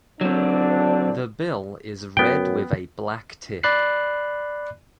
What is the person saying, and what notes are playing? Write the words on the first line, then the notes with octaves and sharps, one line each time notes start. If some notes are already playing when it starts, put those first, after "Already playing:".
The bill is red with a black tip.
F#1 D3 F#3 C4 D4
F#2 B3 G5
D5 B5 F#6 C7